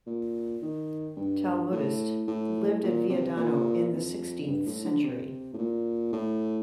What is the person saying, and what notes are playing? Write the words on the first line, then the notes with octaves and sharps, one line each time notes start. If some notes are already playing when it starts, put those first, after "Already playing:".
Talmudist; lived at Viadano in the sixteenth century.
A#2
D#3
G2
A2
A2
A#2
C3
A#2
F2
G2
A2
D3
C3
A2
A#2
A2